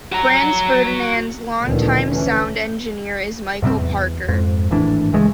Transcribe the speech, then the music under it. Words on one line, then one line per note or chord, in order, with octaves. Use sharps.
Franz Ferdinand's longtime sound engineer is Michael Parker.
F#4 A#5
D2 A#2 D#3 F3 A3 B3
E3 A3 C#4
G#2 C3 G3 C4
E2
F2 G#2
G#1 A2 E3 D4
C#2 E3 G#3 A3